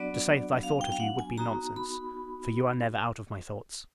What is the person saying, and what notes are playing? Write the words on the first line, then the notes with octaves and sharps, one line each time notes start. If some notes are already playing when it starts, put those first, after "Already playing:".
To say that I thought of you, would be nonsense; for, you are never out of my thoughts.
Already playing: F#3 B3 D4 F#4 D5
F5
G5
F5
F#5
G#5
B3 D#4 F#4 A#5
B5